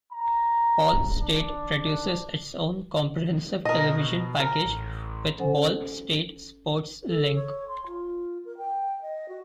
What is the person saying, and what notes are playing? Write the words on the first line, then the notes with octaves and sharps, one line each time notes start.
Ball State produces its own comprehensive television package with Ball State Sports Link.
A#5
D4
B2 A#4 D#5
A#4
A1
C#4 A4 C5 F#5 G#5
A4
C#5
C6
F4
A#4
G5
D#5
F#4